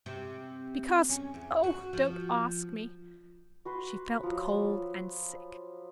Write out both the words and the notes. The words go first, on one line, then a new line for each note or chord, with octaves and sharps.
"Because--oh, don't ask me." She felt cold and sick.
C3
C#4
E2
F#4
F3
F#4 B4 C6
F3 F#3